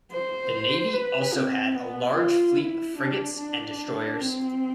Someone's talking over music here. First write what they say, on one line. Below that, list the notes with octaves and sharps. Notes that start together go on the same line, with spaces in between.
The navy also had a large fleet of frigates and destroyers.
C5
B4
C4
B3
F4
E4
D4
D4
C4